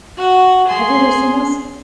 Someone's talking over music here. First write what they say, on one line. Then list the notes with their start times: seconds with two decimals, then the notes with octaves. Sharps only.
Have you ever seen those?
0.18 F#4 F#5
0.67 G#4 C6